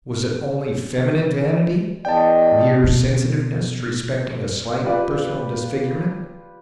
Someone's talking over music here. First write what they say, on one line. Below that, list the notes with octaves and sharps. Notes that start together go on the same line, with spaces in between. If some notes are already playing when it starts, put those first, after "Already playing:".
Was it only feminine vanity--mere sensitiveness respecting a slight personal disfigurement?
E2 D5 D#5 G5 A5
B2
F4 G4 B4 D5